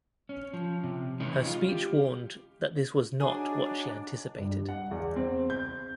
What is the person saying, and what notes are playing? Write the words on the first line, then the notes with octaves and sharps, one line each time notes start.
Her speech warned that this was not what she anticipated.
C#4
F3
C3
E3 G#3 C#4 D#4
F4
G4
D4 D#4 F#4 G#4 C#5
G2
F#5
E2
C4
G6